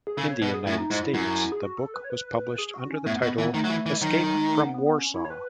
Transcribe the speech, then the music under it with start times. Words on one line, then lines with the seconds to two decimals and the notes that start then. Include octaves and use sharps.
In the United States the book was published under the title "Escape from Warsaw".
0.07 G#4
0.18 C#3 A4
0.30 C#5
0.42 B2 B4
0.54 G#4
0.66 A2 E4
0.72 C#4
0.78 D#4
0.90 G#2 E4
0.96 F#4
1.02 E4
1.14 F#2
1.52 G#4
1.62 F#4
1.78 A4
1.94 B4
2.04 C#5
2.10 B4
2.58 G#4
2.74 F#4
2.90 C#4
3.06 A2 B3
3.22 B2
3.38 E3
3.54 D#3 A3
3.64 F#3
3.70 E3
3.86 E3
3.97 G#3
4.02 D#3 F#3
4.18 F#3
4.34 G#3
4.50 A3
4.62 B3
4.74 B3
4.86 B3
4.98 C#4
5.14 E4
5.25 C#5
5.30 B4